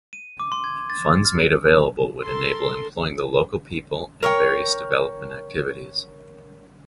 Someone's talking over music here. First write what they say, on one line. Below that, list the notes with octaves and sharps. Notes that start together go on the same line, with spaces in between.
Funds made available would enable employing the local people in various development activities.
D#7
D6
C6
G#6
A6
F6
A4 A#4 C6
A#4 C#5 E5 G5